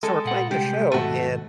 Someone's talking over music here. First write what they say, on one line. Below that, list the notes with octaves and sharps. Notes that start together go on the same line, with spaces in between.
so we're playing the show, and
G#3 A4
A#2 F#5
C2 G#3 G4
D#2 G#2 B2 A3 F#4